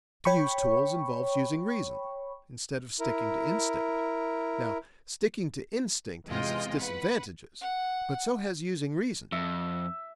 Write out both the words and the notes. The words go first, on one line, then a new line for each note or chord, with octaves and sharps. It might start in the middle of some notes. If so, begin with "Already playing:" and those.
To use tools involves using reason, instead of sticking to instinct. Now, sticking to instinct has its disadvantages, but so has using reason.
C#5 G5 B5 C#6
E4 A#4
E2 C3 G#3 F4 D#5 G5
B4 F#5
F#5
F2 E5